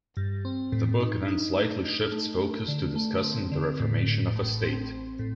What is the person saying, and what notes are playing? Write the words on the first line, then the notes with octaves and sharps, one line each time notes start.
The book then slightly shifts focus to discussing the reformation of a state.
G2
C4
A2
D#4
D#4
A3
D#4
A3
A3
D3
A3
C4
D3
A2
A2
A1
C4
C4
A2